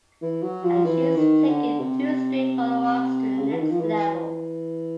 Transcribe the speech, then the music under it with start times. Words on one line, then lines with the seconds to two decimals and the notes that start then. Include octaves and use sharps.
And she's taken two straight follow-ups to the next level.
0.22 E3
0.43 F#3
0.64 F3
0.85 E3
1.17 D#3
1.48 D3
1.80 C3
3.39 C#3
3.52 E3
3.60 D#3
3.71 F3
3.80 E3